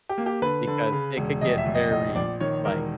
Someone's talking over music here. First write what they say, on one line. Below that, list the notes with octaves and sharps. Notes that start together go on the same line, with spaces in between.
because it could get very, like
G4
A#3
G4
D3 B4
D3
C#3
E1
F1 D#5
E5
F1
D#5
A#1 D#5
A#1 D5
D#3 C#5
E1 A#4